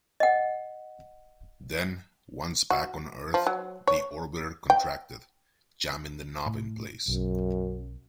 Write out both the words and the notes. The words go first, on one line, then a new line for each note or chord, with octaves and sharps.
Then, once back on Earth, the Orbiter contracted, jamming the knob in place.
D#5 F#5
F#4
F3
F#3
C#5
G5
A2
B1 F#2